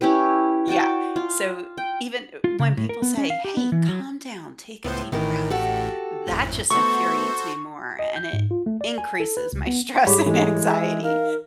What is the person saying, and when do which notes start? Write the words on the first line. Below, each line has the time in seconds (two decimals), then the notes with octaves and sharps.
Yeah. So even, eh, when people say, “Hey, calm down, take a deep breath.” That just infuriates me more, and it increases my stress and anxiety.
0.01 C#4 E4 G4 B4
0.68 F#4 D5 G5 A5
1.16 F4
1.77 G5
2.44 F4
2.59 C#3
2.77 A2
2.89 A#4
3.02 B3
3.17 C#4
3.30 F5
3.45 G4
3.57 B3
3.72 E3
3.89 F#3
4.84 C#2 A2 B3 C5
5.12 A1 A2 D#3 E3 A#4
5.50 F#4 G4 A4
6.27 G#1 F2 A2
6.70 A3 B3 F#4 A4 C5 C#6
7.99 D#5
8.16 G6
8.33 G#2
8.51 F4
8.66 A3
8.81 D5
8.98 G#5
9.20 A4
9.37 B4
9.53 C#2
9.67 B3
10.07 G#2 G3 G4 G#4 C#5 B5
10.26 E3 G#3 G4 A4
10.70 E5 G#5
11.03 D#4 A#4 F5